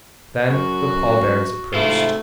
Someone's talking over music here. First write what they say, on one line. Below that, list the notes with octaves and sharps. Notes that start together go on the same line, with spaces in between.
Then the pallbearers approached.
F#2 F#4
G#2 C3 A3 E4 F4